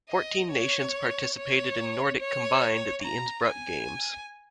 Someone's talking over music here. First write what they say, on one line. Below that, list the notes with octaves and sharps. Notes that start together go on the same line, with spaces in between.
Fourteen nations participated in nordic combined at the Innsbruck Games.
D#5
C#5
C#5
C#5
A#5
G#5